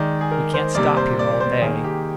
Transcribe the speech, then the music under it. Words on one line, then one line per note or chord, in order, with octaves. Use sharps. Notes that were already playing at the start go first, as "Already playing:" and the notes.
We can't stop here all day.
Already playing: D#3 G#3 D5
G#4
A#4
C5
C3 G3 A#3 D5
C5
D5
C5
D#3 A#3 G#4
G4